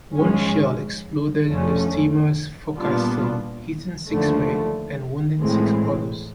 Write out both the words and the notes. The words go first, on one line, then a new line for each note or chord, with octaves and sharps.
One shell exploded in the steamer's forecastle hitting six men and wounding six others.
G#2 F3 G#3 C#4
F2 D3 F3 A3 C#4
A#2 G3 B3 D4 F4
D#2 D3 F3 A3
A2 E3 G#3 C4